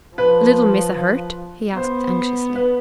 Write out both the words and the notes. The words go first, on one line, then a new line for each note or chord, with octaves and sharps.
"Little Missa hurt?" he asked anxiously.
F3 B4
B3 C5
B4